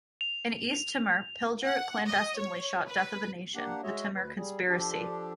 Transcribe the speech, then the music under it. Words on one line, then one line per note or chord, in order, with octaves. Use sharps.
In East Timor Pilger clandestinely shot "Death of a Nation: The Timor Conspiracy".
F7
F#5
D#5
C#5
B4
A#3 D4 G4 F#5
G#3 F#4 C#5 D#5 E5
D2 B4
G3 G#4
F3 D4 G4 A4